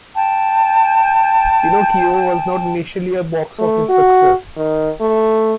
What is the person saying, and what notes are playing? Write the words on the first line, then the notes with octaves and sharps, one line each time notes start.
"Pinocchio" was not initially a box office success.
G5 A5
A3
F#4
D#3
A3